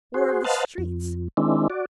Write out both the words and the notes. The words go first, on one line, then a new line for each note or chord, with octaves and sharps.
War of the streets?
F#4 G#4 C5
B4 C5 D#5 F5 F#5 A5
F2
D#3 G#3 C4 D4 E4
F#4 D5